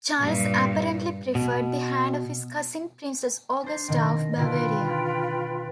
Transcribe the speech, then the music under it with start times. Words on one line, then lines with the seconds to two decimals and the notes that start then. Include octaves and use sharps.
Charles apparently preferred the hand of his cousin Princess Augusta of Bavaria.
0.18 G2 A#2
1.35 B2
3.63 D4 C5
3.88 B2 D#3 C4 D#5
4.38 B2 D3 E4 F4 B4 G5